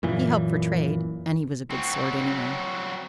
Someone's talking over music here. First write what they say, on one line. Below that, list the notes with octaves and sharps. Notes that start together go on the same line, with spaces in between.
He hoped for trade, and he was a good sort anyway.
F#2 A#2 E3
F#3 C4